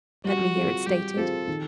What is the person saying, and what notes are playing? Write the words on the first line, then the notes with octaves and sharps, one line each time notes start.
Let me hear it stated.
G3 F#4
C4 F4 G#4
G3 G4
C4 F4 G#4 A4
D#3